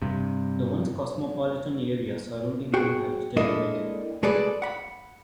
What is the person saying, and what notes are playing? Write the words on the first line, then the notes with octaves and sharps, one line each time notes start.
The once cosmopolitan areas surrounding them have deteriorated.
G2 C3
F#4 G#4 G5
G#3 A#3 D4 E4 A4 D#5
B1 G#3 G#4 A4 B4 D5
F#5 B5